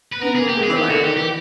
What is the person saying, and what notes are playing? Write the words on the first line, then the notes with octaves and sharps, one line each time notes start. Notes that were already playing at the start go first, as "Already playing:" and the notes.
Mhm. Bye-bye.
B4
B3 A#4
A#3 G#4
G4
G#3
G#4
E3
D#3 G4
D3 F#4
D#3 G4
E3 G4